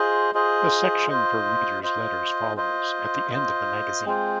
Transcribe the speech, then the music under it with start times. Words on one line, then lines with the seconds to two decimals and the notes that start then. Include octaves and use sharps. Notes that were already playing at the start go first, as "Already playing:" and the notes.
The section for readers' letters follows, at the end of the magazine.
Already playing: F4 G#4 C5 D#5
0.34 F4 G#4 C5 D#5
1.09 F4 C5 D#5
1.83 F4 C5 D#5
2.57 F4 C5 D#5
3.31 F4 C5 D#5
4.05 G#3 C4 F4 C5